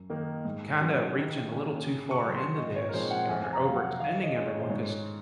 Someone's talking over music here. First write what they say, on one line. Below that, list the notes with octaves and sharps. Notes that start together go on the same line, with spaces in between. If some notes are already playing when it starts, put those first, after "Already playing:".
kinda reaching a little too far into this, or overextending everyone 'cause
Already playing: F#2
D#3 A#3 D#4
G#2
F#3 C#4
D#3
A#3 C#4
C#3
C#6
F#3 C#4
C6
A#2 D#5
C#5
A#4
F3 G#3 C4 D#4 C5
F#5
F2 G#5
G#5
A#5
C3 F#3 F5
F#5
D#3 F5
D#5
G#3 C#4 F4
C#5
C5
G#2 C#5